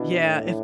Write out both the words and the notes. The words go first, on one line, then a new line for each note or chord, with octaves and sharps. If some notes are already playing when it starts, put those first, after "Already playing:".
Yeah, if
Already playing: B2 D4 E4
A2